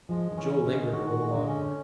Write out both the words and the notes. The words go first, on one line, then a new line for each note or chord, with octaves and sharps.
Joe lingered a little longer.
F3 G#3
D#3
E3 C#4
D3 G#3
D#3 F#4
G#3
D3
C#4